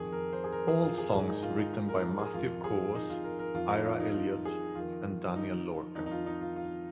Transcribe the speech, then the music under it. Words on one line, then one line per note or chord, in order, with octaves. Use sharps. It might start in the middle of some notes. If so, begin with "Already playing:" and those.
All songs written by Matthew Caws, Ira Elliot and Daniel Lorca.
Already playing: F2 D#3 G#4
A#4
C5
G#4
A#4
G#4
F4
G#4
G#2 D#3 G#4
D#4
F4
D#4
A#4
A#4
G#4
F2 D#3 F4
G#4
D#4
F4
A#4
A#4
F2 D#3 F4
D#4
F4
D#4
F4
G#4
F2 D#3 F4
D#4
F2 D#3 D#4
D#4
F4
D#4
F4
F4